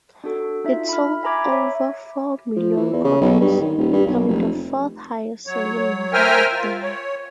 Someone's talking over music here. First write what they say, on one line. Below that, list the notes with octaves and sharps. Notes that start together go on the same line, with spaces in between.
It sold over four million copies, becoming the fourth highest-selling novel of the year.
D4 F#4 A4
D4 D#4 F4 E5
B5 F6
E5 G#5 A#5 B5 D6 G#6
C#5 E5
F3
E3
E2
C#3
B1
G2
D#3
D#1
G2
B1
F1
F#3 C#5
A#4 C5 E5 G5 G#5 F6
F4
C#5